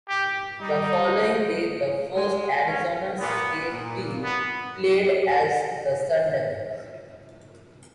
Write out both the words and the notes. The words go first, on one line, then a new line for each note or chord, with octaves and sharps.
The following day, the first Arizona State team played as the Sun Devils.
G4
G3 D#4
G#3
C#4
A#2 B3
A#2
B3